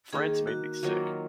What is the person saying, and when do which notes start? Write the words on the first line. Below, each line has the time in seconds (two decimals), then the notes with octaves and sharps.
France made me sick.
0.13 D#3 A#3 D#4 G#4
0.47 F#4
0.83 D#3 F#3 A#3 F4